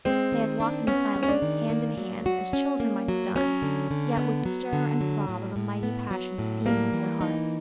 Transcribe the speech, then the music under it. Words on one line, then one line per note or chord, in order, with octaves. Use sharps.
They had walked in silence, hand in hand, as children might have done, yet with the stir and throb of a mighty passion seething in their hearts.
G#3 C4
D#3
D4
B3 C#4
G#3
C#4
D4
D#3
A#3
F#3
F#4
C#4
A#3
F#3
F#3 C#4
D3
D3
B3
F#3
D3
F#3
A2
A2
B3
F#3
A2
G3 A#3
E3
D#4